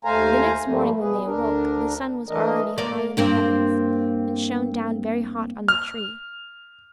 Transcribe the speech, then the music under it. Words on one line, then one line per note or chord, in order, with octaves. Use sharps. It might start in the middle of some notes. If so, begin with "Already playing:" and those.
The next morning, when they awoke, the sun was already high in the heavens, and shone down very hot on the tree.
D#2 A3 C5 F5 G#5 A#5
G2 F3 G3 A3 A#3
B2 G#4 B4
D2 D4 A#4
E3 A3 D4 A#4 D#5
A#3 D5
G2 A#3 C4
F6